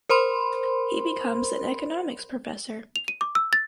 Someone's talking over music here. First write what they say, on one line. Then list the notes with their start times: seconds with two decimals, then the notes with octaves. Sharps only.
He becomes an economics professor.
0.09 A#4 C5 B5 C6
2.96 F7
3.08 D#7
3.21 D6
3.35 E6
3.53 A6